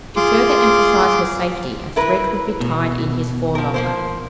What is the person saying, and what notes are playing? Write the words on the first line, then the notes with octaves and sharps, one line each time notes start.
To further emphasize her safety a thread would be tied in his forelock.
F4 G#4 C6 D6
E4 A#4 B4
B2
F3 A#4
F3 A#3 C5